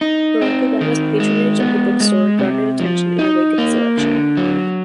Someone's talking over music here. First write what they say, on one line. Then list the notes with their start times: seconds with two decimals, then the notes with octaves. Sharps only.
Barack Obama's patronage of the bookstore garnered attention in the wake of his election.
0.01 D#4
0.41 C4
0.81 D#3
1.20 G#3
1.60 B3
2.01 G#3
2.39 C3
2.80 F3
3.19 D#4
3.58 A#3
3.97 D3
4.37 F#3